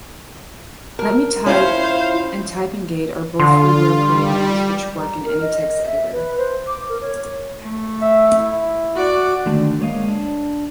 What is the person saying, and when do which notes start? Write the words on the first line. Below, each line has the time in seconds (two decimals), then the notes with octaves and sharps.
Letmetype and Typingaid are both freeware programs which work in any text editor.
0.99 A#4
1.46 C#4 E4 F4 C5 F5
3.40 D3 F4 C6
3.89 G3
4.99 A#5
5.25 A#4
5.41 D#5
5.86 E5
6.13 B4
6.38 C5
6.67 D6
6.89 A#4
7.02 C#5
7.59 A3
8.02 E5
8.39 E4
8.95 F#4 D5 D6
9.46 D3 D#3 A3 D4 F#4
9.80 G#3 A#3 C#5 D#5 F5
10.08 D4